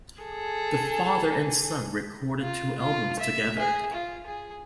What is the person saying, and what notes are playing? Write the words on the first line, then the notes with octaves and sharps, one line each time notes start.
The father and son recorded two albums together.
G#4 A4
F4
F4
E5
G#4
F4
G#4